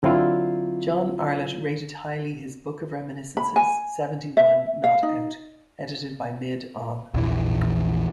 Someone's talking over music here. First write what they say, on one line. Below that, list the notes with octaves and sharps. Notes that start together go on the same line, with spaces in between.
John Arlott rated highly his book of reminiscences "Seventy-one Not out", edited by "Mid-On".
D3 F#3 C4 E4 F4
B5
G#5
E5
F5
D#4
A#1 E2 E3